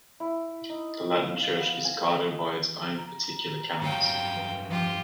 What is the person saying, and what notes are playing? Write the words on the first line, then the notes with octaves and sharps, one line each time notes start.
The Latin Church is guided by its own particular Canons.
E4
D#4
F5
B3
G#5
D#5
A#5
G2 F#3 C#5 F5 G5
E3
F3 F4 G4